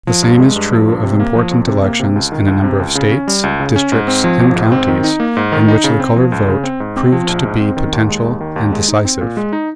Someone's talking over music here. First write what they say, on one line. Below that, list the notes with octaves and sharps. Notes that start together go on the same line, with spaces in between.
The same is true of important elections in a number of States, districts and counties in which the colored vote proved to be potential and decisive.
F3
G2
G#3
G2
F3
G2
C3
A#3
F3
F2
C3
A#3
C3
C#2
D#3
C#2
C3
C#2
C#3
C#4
G3
C#2
C#3
C#4
G#2
C4
F3
G#1
G#2
C4
D#3
D#4
A#3
G#2
D#3
D#4
C#3
C4
F3
C#2
C#3
C4
G#2
C4
F3
A#1
G#2
C4
D#3
D#2
G#3
D#2
D#3
D#2
G#3
D#4
C4
A#2
G#3
D#4